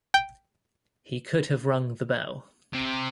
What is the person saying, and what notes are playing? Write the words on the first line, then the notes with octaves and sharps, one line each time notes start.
He could have rung the bell.
G5
C3